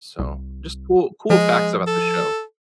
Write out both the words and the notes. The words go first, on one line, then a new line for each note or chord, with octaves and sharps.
So, just cool cool facts about the show.
C2
F3 G#3
A4